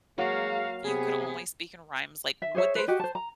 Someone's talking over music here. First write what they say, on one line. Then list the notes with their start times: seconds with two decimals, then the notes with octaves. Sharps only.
you could only speak in rhymes, like, would they f
0.18 F#3 G#3 A#3 F#4 F5
0.84 C3 B3 G#4
2.42 E5
2.55 G#4 C5 C#5 E5
2.75 B4 C5
2.88 F#4 G4 D#5
3.00 C5 A5
3.15 A#5